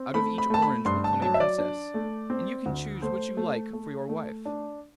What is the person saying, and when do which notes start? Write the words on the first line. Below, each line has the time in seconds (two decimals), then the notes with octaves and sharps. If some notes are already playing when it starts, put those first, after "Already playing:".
Out of each orange will come a princess, and you can choose which you like for your wife.
Already playing: C4
0.14 A3 B5
0.38 B5
0.50 A3 A5
0.62 B5
0.85 G2 C6
1.04 A5
1.22 F#3 A5
1.34 E5
1.40 D5
1.58 D4
1.94 A3
2.30 C4
2.66 D2
3.02 A3 C5
3.37 A3
3.73 A3
4.09 A3
4.45 D4